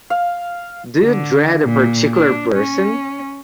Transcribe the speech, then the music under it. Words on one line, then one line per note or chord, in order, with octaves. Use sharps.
Do you dread a particular person?
F5
D3
A#2
D4
C#4